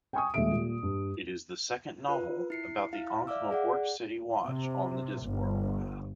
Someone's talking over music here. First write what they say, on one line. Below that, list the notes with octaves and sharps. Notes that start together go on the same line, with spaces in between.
It is the second novel about the Ankh-Morpork City Watch on the Discworld.
G5 G#5 C#6 D#6
D#1 D#2 G#3 E5 D7
A#2
G2
F4 A#4 B4
E4 C7 C#7
E4 F5
D5 E5 F5 D6 E6
G#4 D5 F#5
C3
G1